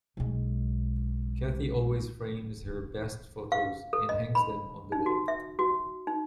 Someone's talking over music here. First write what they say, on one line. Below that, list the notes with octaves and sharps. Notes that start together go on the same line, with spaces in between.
Katie always frames her best photos, and hangs them on the wall.
B1 G#3
F5
A4
D#5
B5
D#4
F#4
E5
F#4
D#4